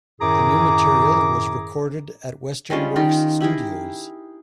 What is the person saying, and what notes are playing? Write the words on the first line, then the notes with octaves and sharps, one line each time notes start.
The new material was recorded at Western Works studios.
F#2 A2 D#3 G#4 A#5 D6
G3 G#3 C#4 F4
D#3 F4 G4 A#4
E4 G4 G#4 A#4